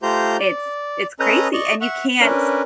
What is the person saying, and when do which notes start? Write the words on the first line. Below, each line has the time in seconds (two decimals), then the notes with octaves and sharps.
it's it's crazy, and you can't
0.03 A3 F4 G4 C5 A#5 G6
0.39 D5
1.20 C#4 A4 B4 D#5 A#5 D#6
1.53 D5 D#5 C#6
1.81 E5 F#5 C#6
2.20 C#4 D4 A#4 B4